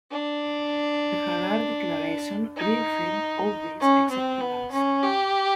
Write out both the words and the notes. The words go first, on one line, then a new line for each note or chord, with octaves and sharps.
The Harare Declaration reaffirmed all these except the last.
D4
D#4
C#4
C4
B3
C#4
G4